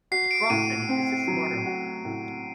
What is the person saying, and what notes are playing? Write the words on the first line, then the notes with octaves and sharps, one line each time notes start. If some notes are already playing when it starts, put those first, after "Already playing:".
Proffen is the smarter one.
F#4 C7
D7
A2 D#7
C4
F#3
F#4
A2